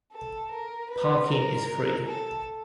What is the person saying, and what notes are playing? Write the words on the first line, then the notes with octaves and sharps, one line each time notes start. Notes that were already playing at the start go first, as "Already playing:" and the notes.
Parking is free.
A4
A#4
B4
A#4
A4